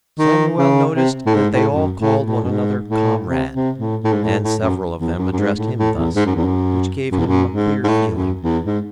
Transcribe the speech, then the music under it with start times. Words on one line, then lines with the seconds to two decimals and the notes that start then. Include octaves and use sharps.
Samuel noticed that they all called one another "comrade"; and several of them addressed him thus, which gave him a queer feeling.
0.19 D#3
0.57 C#3
0.95 C3
1.26 A2
1.35 G#2
1.53 A2
1.72 F#2
1.98 A2
2.25 A2
2.44 F#2
2.50 G#2
2.88 A2
3.27 C3
3.53 C3
3.78 A2
4.04 A2
4.13 G#2
4.24 A2
4.42 A2
4.61 F#2
4.99 E2
5.19 F#2
5.32 F#2
5.39 G#2
5.58 A2
5.77 A2
5.97 E2
6.15 G#2
6.26 F#2
6.36 E2
6.45 F#2
7.12 F#2
7.20 E2
7.27 F#2
7.50 G#2
7.84 G#2
7.88 A2
8.14 F#2
8.41 E2
8.65 G#2